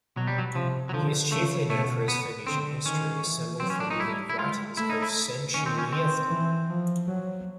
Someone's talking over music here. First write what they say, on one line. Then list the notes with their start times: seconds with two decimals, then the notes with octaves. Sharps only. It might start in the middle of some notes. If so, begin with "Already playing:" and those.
He is chiefly known for his Phoenician history assembled from the writings of "Sanchuniathon".
0.17 B2 F#3
0.27 G3
0.38 F#3
0.55 C3 F3
0.89 F#3
0.93 D3 F3
1.32 C#3 A3
1.70 B2 A3
2.08 B3
2.47 D3 C4
2.85 D#3 C#4
3.24 E3
3.60 F#3 C4
3.70 C#4
3.80 D4
3.90 D#4
4.00 G3 E4
4.30 E4
4.39 G#3 F4
4.77 A3 E4
4.90 D#4
5.02 E4
5.54 D#3 C#4
5.66 C4
5.79 C#4
5.92 D#3 C4
6.30 E3
6.69 F3
7.08 F#3